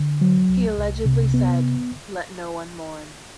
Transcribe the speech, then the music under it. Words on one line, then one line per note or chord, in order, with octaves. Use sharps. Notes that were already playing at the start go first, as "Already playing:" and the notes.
He allegedly said, Let no one mourn.
Already playing: D3
F#3
C2
C2
C3
B3